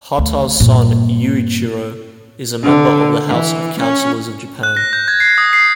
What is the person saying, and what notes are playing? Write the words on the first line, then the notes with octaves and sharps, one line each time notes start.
Hata's son, Yuichiro, is a member of the House of Councillors of Japan.
D2
G2 A#2
D3
E3
C#4
F#6
A#6
G6
G#6
C7
D#6
C7